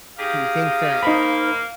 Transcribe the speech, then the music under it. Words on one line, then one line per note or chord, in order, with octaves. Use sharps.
do you think that
D#4 G4 G#4 F5
A#3 D#4 C5 B5